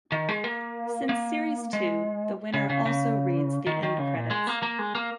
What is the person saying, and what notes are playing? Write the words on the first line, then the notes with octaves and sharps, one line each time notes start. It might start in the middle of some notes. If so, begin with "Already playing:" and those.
Since series two, the winner also reads the end credits.
D#3
G#3
A#3
A#3
G#3
C#3
C#3
C#3
D#3
D#3
C#3
A#2
G#3
A#3
A#3
G#3
A#3